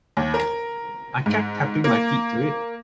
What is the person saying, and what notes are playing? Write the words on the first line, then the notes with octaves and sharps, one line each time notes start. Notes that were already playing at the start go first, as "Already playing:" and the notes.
I kept tapping my feet to it.
D#2
A#4
G#2
A#3